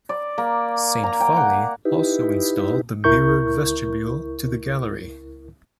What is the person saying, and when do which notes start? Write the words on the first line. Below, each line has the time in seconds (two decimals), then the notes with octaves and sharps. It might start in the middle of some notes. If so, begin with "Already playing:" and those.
Saint Phalle also installed the mirrored vestibule to the gallery.
0.09 D5
0.38 A#3
1.03 A#5
1.20 G5
1.36 F#5
1.85 D#4 E4 G4 B4
3.04 C#2 E4 A#4 C#6 G6